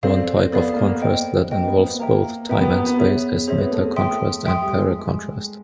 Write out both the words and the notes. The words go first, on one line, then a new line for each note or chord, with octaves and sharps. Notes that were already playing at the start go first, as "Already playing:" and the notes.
One type of contrast that involves both time and space is metacontrast and paracontrast.
C4 A4 D5 F5
B3 A4 D5 F5
A#3
C5 D#5 G5
A#3 C5 D#5 G5
B3
B3
A#3 E5 G5 A#5
B3 E5 G5 A#5
B3
B3
B3
G#4 C#5 E5
C4 G#4 C#5 E5
B3
A3
A3
E5 G5 C6 D#6
A3
E5 G5 C6 D#6
G3
G#3